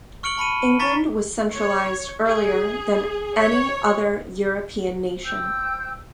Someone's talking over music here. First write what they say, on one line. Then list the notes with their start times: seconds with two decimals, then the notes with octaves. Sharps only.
England was centralized earlier than any other European nation.
0.23 C#6 F6 C#7 D7 F#7 G7
0.38 A5 B5 C#7 D#7
0.62 D#7
0.80 A#5 C#6 A6 B6
1.54 C#5
2.26 G#4
3.38 C#5
5.24 C5 G5 E6 G6